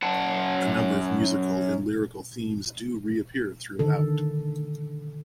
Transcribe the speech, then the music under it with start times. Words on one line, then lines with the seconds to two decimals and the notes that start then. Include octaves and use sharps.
A number of musical and lyrical themes do re-appear throughout.
0.02 F#2 F#5 A5
3.79 D3 D#3 A4